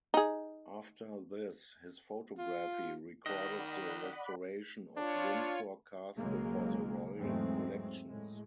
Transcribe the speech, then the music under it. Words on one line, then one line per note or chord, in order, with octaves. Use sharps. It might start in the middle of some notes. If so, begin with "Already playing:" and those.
After this, his photography recorded the restoration of Windsor Castle for the Royal Collections.
D#4 G#4
F4
D#3 D5 D#5 F#5 B5
D4 F4 C#5
B1 C#3 F#3 G#3 A#3
E2 G#2 F#3 G#3 A3 C4
A2 G#3